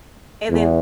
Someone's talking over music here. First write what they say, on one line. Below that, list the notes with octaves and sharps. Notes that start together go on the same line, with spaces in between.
and then,
E2